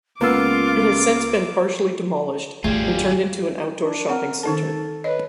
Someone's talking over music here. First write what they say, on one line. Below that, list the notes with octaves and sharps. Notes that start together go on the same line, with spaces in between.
It has since been partially demolished and turned into an outdoor shopping center.
C#2 A#3 B3 F4 D6 E6
G#1 E2 G3 A3 F4 G#4
D4
C4 A#4 F#5
D#3 D#4 A4 A5
B4 C#5 D#5